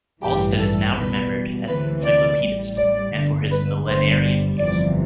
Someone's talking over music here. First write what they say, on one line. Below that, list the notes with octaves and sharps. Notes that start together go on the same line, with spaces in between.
Alsted is now remembered as an encyclopedist, and for his millennarian views.
A1 G2 E3 G3 G4
A4
E2 B2 G3 B4
D2 C3 E3 B4
D5
A1 A2 G3
D5
G1 G2 D3
B4
G1 G2 D3 G3 C5
G1 F2 C3 E3 G3 D5